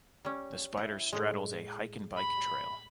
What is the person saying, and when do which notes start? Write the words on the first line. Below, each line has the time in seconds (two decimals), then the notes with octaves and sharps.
The spider straddles a hike and bike trail.
0.25 G3 C#4
0.77 E4
1.13 A2 G#3
2.16 B5